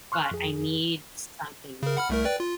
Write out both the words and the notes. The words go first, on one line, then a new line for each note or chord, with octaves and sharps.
but I need something more,
C6 C#6 F6 F#6
F2 G#4
C#3 A#4
F#5 B5 F6
C2 A3 A#4
B4 D5 G5
F4